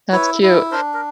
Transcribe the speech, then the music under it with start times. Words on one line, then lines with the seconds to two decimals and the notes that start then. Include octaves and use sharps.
That's cute.
0.12 E4 B4 C#5
0.42 E4
0.72 D4 A#4 C5
0.94 A#4